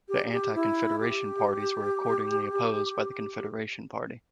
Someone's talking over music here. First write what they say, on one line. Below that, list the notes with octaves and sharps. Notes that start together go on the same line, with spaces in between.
The Anti-Confederation parties were accordingly opposed by the Confederation Party.
G4
G4
E4
G4